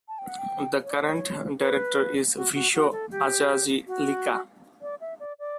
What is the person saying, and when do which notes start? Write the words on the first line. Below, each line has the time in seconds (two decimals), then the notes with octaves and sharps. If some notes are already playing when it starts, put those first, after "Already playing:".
The current director is Visho Ajazi Lika.
0.08 A5
0.19 G5
0.28 F#5
0.39 G5
0.84 C#5
0.91 D5
0.99 C#5
1.60 B4
2.36 F#4
2.54 F#4
2.74 F#4
2.92 A4
3.11 G4
3.87 F#4
4.82 D5
5.01 E5
5.20 D5
5.39 D5